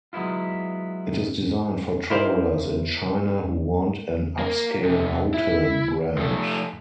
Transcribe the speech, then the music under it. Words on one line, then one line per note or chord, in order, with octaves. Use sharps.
It is designed for travellers in China who want an upscale hotel brand.
F#3 G#3 B3 E4 F4
E4 A#4 C5 D5 F5
A#3 A#4
F2 C3
E4
F3 A3